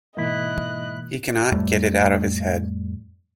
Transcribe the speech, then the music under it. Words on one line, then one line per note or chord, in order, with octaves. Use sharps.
He cannot get it out of his head.
G#2 B2 E3 A#3 E4 D#5 F#6
F2 A2 G3 A3